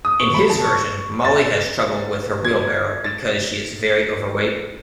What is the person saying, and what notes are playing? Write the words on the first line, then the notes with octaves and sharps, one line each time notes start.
In his version Molly has trouble with her wheelbarrow because she is very overweight.
D#6
C#6
B5
A5
C#6
A6
G#6
A6